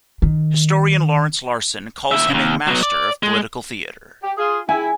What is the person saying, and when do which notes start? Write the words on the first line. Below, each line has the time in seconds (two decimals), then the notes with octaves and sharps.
Historian Lawrence Larsen calls him "a master of "political theater.
0.22 D#3
2.11 D#2 E5
2.30 D#2 C#3
2.67 F#3 B3
2.83 D5
3.23 G#3
4.23 G4
4.38 F4 G#4
4.69 E4 G#5